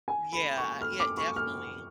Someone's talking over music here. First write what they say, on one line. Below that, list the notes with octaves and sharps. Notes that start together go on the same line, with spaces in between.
Yeah, uh, yeah, definitely.
G#5
B5
C#6
F6
D6
C#6
F6